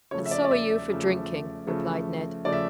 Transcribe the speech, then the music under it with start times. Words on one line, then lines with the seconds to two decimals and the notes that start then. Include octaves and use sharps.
"And so are you for drinking," replied Ned.
0.11 C#3 F3 A3 C#5
0.26 E5
0.31 D5
0.45 D5
0.51 E5
0.70 E5
0.90 C#3 F3 A3
1.67 C#3 F3 A3
2.45 C#3 F3 A3 D5
2.53 E5